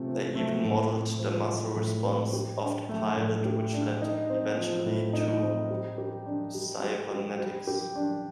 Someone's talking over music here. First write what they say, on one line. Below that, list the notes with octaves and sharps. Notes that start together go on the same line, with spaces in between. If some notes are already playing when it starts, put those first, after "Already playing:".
They even modeled the muscle response of the pilot, which led eventually to cybernetics.
Already playing: C3 F3 A3
C4
A3
A2
C4
F3
A2
A2
C4
G4
D4
A3
A2
G4
D4
D#4
C4
F3
A2
D#4
C4
G3
G4
D4
G3
G3
G4
G3
G4
D4